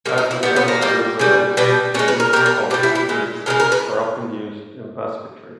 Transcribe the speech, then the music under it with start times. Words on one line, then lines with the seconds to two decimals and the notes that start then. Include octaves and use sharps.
As with several other willows, the shoots, called withies, are often used in basketry.
0.06 G#3 A#3
0.09 A#2
0.18 D#4
0.31 E4
0.43 A#2 G3 B3
0.56 B3
0.68 A#3
0.81 A#2 G3
1.19 C#3 G3
1.57 B2 G3 B3
1.94 A#2 C#4
1.99 G#3
2.08 B4
2.20 A#4
2.33 G3 A#4
2.36 B2
2.46 A#4
2.70 B2 G4
2.74 G3
2.83 E4
2.95 E4
3.09 A#2 G#3
3.46 C#3 E3 G#3 A#4
3.60 A#4
3.72 B4